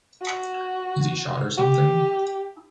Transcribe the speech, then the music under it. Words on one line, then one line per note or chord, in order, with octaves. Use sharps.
Is he shot or something?
F#4
G4